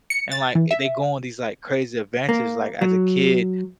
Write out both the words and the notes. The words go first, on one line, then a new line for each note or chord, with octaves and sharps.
and, like, eh they go on these, like, crazy adventures, like, as a kid,
C#7
A6
E3
E5
A#3
F#3